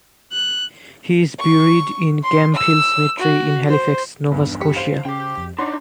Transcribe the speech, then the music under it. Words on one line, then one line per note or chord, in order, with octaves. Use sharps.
He is buried in Camp Hill Cemetery in Halifax, Nova Scotia.
F#6
C#6
C6
E6
F#4
C5
B1 E2 G2
G4 B6 C#7
C5 F5 C7
C#3 G4 G5
F2
D4 D#4 C#5 F#5 B5 C6